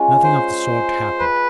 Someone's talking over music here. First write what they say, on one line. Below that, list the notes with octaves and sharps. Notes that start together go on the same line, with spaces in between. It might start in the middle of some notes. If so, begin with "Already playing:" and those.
Nothing of the sort happened.
Already playing: G#3 C#4 F4
C5
B4